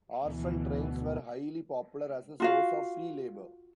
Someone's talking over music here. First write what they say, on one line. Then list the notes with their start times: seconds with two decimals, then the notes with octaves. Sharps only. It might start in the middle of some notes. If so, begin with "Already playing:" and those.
Orphan trains were highly popular as a source of free labor.
0.24 D2 B2 E3
2.40 F4 F#4 F5